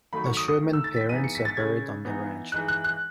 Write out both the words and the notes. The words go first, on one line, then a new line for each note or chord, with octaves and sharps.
The Sherman parents are buried on the ranch.
D#3 F#3 A3 D#4 B5
C#6
D#6
D#6
D#3 A3 D#4
E6
A6
B6
E3 G#3 B3 D#4 D#7
C#7
B6
A6
C#3 G#3 C#4 G#6
E3 B3 D#4
E3 G#3 D#4 F#6
F#6
F#6